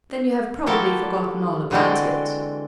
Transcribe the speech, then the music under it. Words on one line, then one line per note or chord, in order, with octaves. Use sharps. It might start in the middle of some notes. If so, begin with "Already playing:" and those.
"Then you have probably forgotten all about it."
F3 A#3 E4 F#4 G4 A4
D3 E3 G#3 C4 D4 F#4